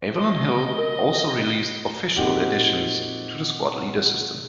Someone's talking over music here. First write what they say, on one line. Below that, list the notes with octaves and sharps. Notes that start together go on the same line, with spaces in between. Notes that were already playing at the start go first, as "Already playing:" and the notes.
Avalon Hill also released "official" additions to the Squad Leader system.
D#5 G7
A#4
A#2 C4 D#4 F#4 G4